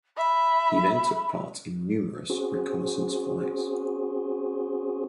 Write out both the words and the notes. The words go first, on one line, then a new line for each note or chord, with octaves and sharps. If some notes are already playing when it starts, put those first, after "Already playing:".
He then took part in numerous reconnaissance flights.
E5 B5
C4 C#4 F#4 G#4 C5